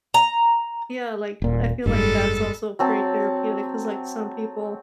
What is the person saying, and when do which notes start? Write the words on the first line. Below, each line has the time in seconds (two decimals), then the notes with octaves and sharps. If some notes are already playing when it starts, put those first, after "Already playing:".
Yeah. Like, I feel like that's also pretty therapeutic 'cause, like, some people
0.14 A#5
1.42 D#1 A#2
1.86 F#1 G#2 G3 G#3 A4
2.79 F#3 C4 A5